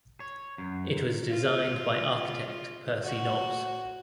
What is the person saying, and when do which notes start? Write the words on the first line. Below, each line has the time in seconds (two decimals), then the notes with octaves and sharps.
It was designed by architect Percy Nobbs.
0.20 C#5
0.58 F#2
1.29 F4
3.04 F#4